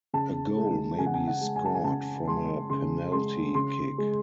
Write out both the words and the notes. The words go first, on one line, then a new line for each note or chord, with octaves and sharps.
A goal may be scored from a penalty kick.
C#3 A5
G#3
C#3 G#5
F#5
G#5
F#5
G#3
G#5
A5
G#5
C#3 A5
G#3 C6
C#3 C6
G#3 C6
C#3 C6
G#3